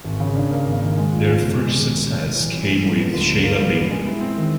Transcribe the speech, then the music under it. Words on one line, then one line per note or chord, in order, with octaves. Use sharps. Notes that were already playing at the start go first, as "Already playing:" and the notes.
Their first success came with "Sheila Baby".
G#1
C#3
D4
A#3
G#1
D#3
G#3
F3
F#1
B2
G#3
D#3
C2
F#3
G3
E3
C4
G#3
A2
B3
D2
F#3
A#3
G3
B3
G#3
E4
C4
D#3